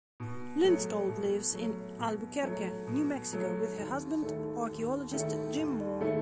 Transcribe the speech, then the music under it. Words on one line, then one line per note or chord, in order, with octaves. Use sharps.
Lindskold lives in Albuquerque, New Mexico, with her husband, archaeologist Jim Moore.
B2
F#3 A3
B2
F#3 A3
B2
F#3 A3
B2
F#3 A3
D#2
D#3 A3 E4 A4
D#2
D#3 A3 E4 A4
D#2
D#3 A3 E4 A4